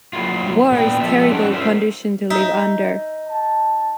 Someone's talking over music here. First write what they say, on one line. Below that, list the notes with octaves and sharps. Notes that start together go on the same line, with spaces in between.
War is a terrible condition to live under.
F#3 A#3 E4 F4
A#2 B3 A#4 G5
F3 G#3 F4 A4 E5
G#2 E3 F#3 C#4 D4
F4 A#4 C5 E5
D#4 E5
A5